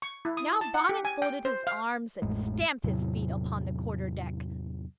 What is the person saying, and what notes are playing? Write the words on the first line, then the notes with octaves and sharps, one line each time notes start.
Now Bonnet folded his arms and stamped his feet upon the quarter-deck.
C#6
E4
D#6
A5
F#5
G4
G#5
G5
C5
F5
A1 F2 A2 G#3
E2 A2 C3 F#3